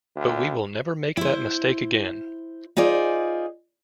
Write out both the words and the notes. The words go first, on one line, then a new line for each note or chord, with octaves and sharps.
But we will never make that mistake again.
D2
E4 C5
D#4 F4 G#4 C5 D5